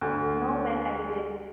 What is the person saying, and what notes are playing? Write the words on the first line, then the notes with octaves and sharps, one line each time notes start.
No - well, I did.
D2